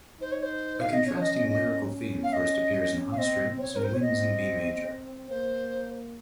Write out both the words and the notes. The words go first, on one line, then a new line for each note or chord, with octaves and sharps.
A contrasting lyrical theme first appears in high strings and winds in B major.
D#4 C5
C#5
C5
F5
D#5
C#4 C#5
D#5
D#5
D#5
C#4
F5
D#5
F5
C4 D#5
C4 C#5
A#4
C5
C#5
D#5
C4
A#3 C5